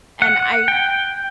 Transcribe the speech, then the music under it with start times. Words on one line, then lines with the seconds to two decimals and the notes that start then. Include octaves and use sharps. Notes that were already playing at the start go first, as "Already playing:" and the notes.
and I
0.22 F#5
0.68 G5